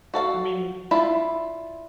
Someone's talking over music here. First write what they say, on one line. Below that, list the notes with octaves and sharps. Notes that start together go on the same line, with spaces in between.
I mean
F#4 A4 F5
D4 E4 F4 B5